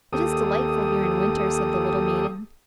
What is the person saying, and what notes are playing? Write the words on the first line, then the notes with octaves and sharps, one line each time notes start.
"It is delightful here in winter!" said the little maiden.
D#2 G4 A4 D#6